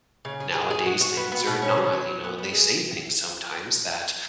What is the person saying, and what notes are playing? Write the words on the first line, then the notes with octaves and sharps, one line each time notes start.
nowadays things are not, you know, and they say things sometimes that
C#3
G#4
G#4
G#4
F#4
F#4
B3
B3
B2
C#4
B2
F#3
C#5
B3
B3
G#4